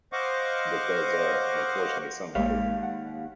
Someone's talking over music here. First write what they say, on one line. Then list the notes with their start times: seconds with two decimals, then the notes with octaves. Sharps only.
because, uh, unfortunately somebody
0.13 C5 D#5 F5 F#5 C#6 D6
2.35 A1 D#2 G#3 A#3 G4 F5
2.83 F#5